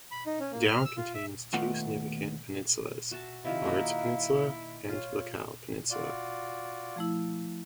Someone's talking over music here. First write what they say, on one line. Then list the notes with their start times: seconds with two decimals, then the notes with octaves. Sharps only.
Down contains two significant peninsulas: Ards Peninsula and Lecale peninsula.
0.11 B5
0.26 D#4
0.40 C#4
0.52 A#3
0.68 F6
0.85 E6
0.97 F4
1.14 E5
1.53 D#2 A3 B3 F4 F#5
3.11 F#4 E5 A5
3.45 C3 D#3 F3 E4 F5
3.64 A#3 D#4 F#4
4.89 F4 C#5
5.91 F4 F#4 D5
6.96 F3 A3 E4